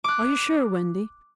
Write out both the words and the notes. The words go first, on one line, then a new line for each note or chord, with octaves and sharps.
"Are you sure, Wendy?"
D6 F#6